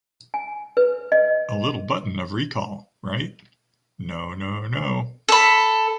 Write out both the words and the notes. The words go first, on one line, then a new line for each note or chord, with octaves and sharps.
The little button of re-call, right? No, no, no ...
G#5
B4
D#5
A4 B5